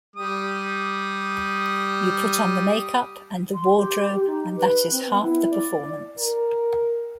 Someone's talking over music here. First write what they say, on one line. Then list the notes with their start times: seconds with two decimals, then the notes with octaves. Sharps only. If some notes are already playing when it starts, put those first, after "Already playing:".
You put on the makeup and the wardrobe, and that is half the performance.
0.16 G3 D#6
3.54 C6
3.76 G4
4.26 D#4
4.57 B4
4.90 C4
5.06 B3
5.22 E4
5.50 D5
6.18 A#4